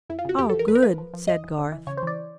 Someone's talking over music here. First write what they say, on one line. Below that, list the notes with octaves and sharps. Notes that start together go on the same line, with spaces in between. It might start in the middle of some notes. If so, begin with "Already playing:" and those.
"Ah, good!" said Garth.
F2 E4
F4
C#3 F#4
F2 G4
A4
F3
A#4
F2 B4
A#4
F3 B4
F3
F3
E2 D#5
E2
C#3
E3
C#3 C#5
C5
E3 D5